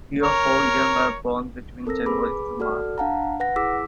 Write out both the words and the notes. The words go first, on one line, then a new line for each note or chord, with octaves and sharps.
Three to four young are born between January to March.
A#4 C#5
C4 A4 A#4 E6 A#6
G#4 B4 B5 D6
F#4 A4 D5 F6
D4 F5 F#5 A5 A#5
B4 F#5 A#6
E4 G#4 D6 E6 B6